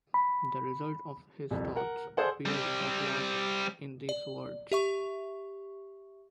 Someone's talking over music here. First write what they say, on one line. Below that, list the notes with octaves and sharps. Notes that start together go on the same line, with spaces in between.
The result of his thoughts appeared at last in these words.
B5
C2 F2
A#4 F#5
G#4 A4 C5 D5 F#5
G3 C4
D5
G4 E5 C#6